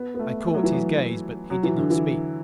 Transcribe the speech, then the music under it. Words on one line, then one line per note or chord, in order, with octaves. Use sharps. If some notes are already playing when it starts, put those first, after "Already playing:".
I caught his gaze but he did not speak.
Already playing: B3
B3
A3
A3
F#3
E3
F#3
F#3
E3
D3
E3